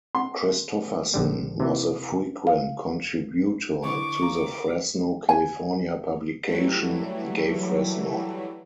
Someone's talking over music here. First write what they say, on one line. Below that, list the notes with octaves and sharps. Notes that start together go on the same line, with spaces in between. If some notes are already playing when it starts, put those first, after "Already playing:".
Christoffersen was a frequent contributor to the Fresno, California publication "GayFresno".
C6
A#1 D3 G3
C3 E3
F5
D3 E3 C#6 D6
F4 A#5
G#5
E3 F#3 G3 A3